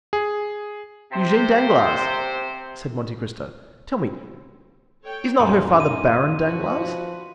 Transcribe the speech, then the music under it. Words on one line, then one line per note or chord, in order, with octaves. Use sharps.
"Eugenie Danglars," said Monte Cristo; "tell me, is not her father Baron Danglars?"
G#4
C3 C5
A4 C#5 G5
F#2 A#2 C#4 D#4 G4 C6
G#2 D#7
F3 F#4 B4